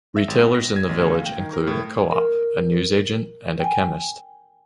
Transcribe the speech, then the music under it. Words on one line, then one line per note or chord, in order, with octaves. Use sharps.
Retailers in the village include a Co-op, a newsagent, and a chemist.
E5
G#1
B3
A#6
G#6
A1
D2
F5
G5
D#3
A#4
A2
A#4
G5 G#5